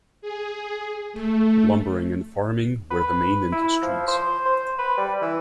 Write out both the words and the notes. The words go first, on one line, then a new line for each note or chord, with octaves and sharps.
Lumbering and farming were the main industries.
G#4
A3
B4
E4
F3
C5
C5
B4
G3
E3